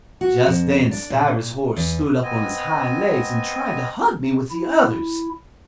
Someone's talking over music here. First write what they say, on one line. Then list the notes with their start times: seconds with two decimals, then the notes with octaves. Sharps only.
Just then Stiver's horse stood up on his hind legs and tried to hug me with the others.
0.21 F#4
0.46 F2
0.91 D4
1.10 A#2
1.76 E2
2.23 B3 C4 D#5 G#5
4.50 E4